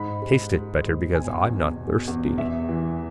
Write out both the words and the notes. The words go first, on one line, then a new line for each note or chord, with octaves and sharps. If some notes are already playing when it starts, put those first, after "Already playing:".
Taste it better because I'm not thirsty.
Already playing: G#2 B5
G#3
G#3
G#2
B2 G#5
E2
B2
E2
E2 E5
E3